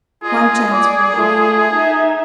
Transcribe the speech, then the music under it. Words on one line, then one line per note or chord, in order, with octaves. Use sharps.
One chance for life.
F4 G#4 D#5
D5
A3 F4
D#4 E5